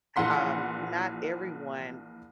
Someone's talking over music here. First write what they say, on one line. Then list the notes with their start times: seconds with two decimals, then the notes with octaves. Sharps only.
um, not everyone
0.16 A#1 A#2 E3 F#5 C6 B6